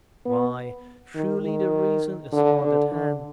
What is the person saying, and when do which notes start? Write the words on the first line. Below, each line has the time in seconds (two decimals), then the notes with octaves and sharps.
'Why, truly the reason is hard at hand.
0.26 B3
1.15 D#3
1.45 D#3
2.32 D3
2.63 D3
2.92 D3